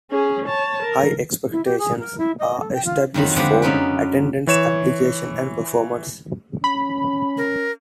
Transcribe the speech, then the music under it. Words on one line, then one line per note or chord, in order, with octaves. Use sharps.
High expectations are established for attendance, application and performance.
C#4 G#4
C#5 A5
A#4
E4
G4
G#4
A#4
E4
D#5
A4
G5
F4
F2 D#3 F#3 B5
D3 F3 G#3 B3 G4 B4
F#2 B3 C#4 D#4 B4 D5
E3 C#5 E7
C#4 B5
A#4